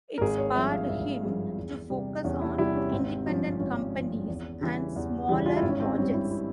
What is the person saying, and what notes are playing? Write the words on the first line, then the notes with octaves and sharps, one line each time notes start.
It spurred him to focus on independent companies and smaller projects.
A#4
G#1 G#4
C#5
G2 F3 E5
F5
G#1 E5
G2 F3 G#4
E2
C3 G3
E2 C#4
E4
C3 G3 E4
C#4
G#1 C4
G2 F3 C#4
G#1 C#4
G2 F3
E2
C#3 E3 G3
E2
C#3 E3 G3
F4
E4
G#1
C#4
C4
G2 G3 C#4
E4
E4